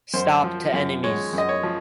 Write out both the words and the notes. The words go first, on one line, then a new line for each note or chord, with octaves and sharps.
Stop to Enemies!
F#2 C5
F3
F#2
G#3 C#5
F#2 D#5
C#5
F3